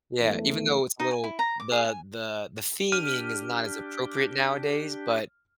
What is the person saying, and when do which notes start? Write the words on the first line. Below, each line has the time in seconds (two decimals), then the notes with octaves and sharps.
Yeah. Even though it's a little The the the theming is not as appropriate nowadays, but,
0.20 A#1 E2 A3
1.00 D#4
1.11 G#5
1.24 E4
1.39 A#5
1.60 D6
1.72 G#4
1.85 G#5
2.92 D4 G4 F6 D#7